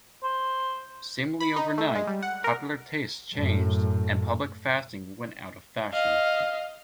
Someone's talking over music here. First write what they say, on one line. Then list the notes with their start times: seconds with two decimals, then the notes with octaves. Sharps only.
Seemingly overnight, popular tastes changed and public fasting went out of fashion.
0.24 C5
1.40 B5
1.56 D#4
1.78 A3
1.95 G#3
2.07 G3
2.23 F#5
2.44 A#4
3.35 F#2 A2
5.93 D#5 F5